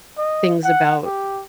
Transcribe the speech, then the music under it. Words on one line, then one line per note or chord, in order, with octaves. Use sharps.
things about
D#5
F#5
G4